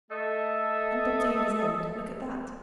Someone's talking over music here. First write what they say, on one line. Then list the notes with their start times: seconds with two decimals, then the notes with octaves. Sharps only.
"And obtained his end; look at that."
0.11 A3 A4 D#5 E5